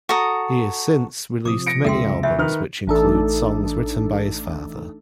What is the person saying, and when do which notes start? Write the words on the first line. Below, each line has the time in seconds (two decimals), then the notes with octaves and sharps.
He has since released many albums which include songs written by his father.
0.09 F#4 A4 A#5 D#6
1.45 C3 F3 D6 D#6
1.66 A#6 C#7 D7
1.85 C#2 A4 E5 G5 C6
2.23 D2 E5
2.38 D#3 A#4 B4 F6
2.87 A1 A3 D4 D#4 A4